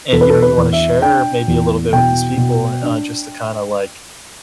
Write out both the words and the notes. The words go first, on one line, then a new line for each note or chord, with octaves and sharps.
and you know, you wanna share maybe a little bit with these people, uh, just to kinda like,
E2 A4
B4
A4
B4
E2
E5
D4 G5
E2
B2 G5
B2
D4